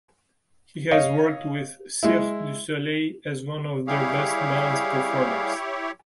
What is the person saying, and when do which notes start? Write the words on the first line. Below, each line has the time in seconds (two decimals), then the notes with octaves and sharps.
He has worked with Cirque du Soleil as one of their best balance performers.
0.91 C#5 D#5 F5
2.03 G#3 E4
3.87 G3 E4 G4 G#4 C#5 F5